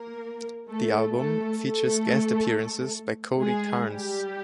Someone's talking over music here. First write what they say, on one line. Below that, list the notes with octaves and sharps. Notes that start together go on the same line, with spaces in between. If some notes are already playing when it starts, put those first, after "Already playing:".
The album features guest appearances by Cody Carnes.
Already playing: A#3 A#4
A3 A4
A3 A4
A3 A4
G#3 G#4
G3 G4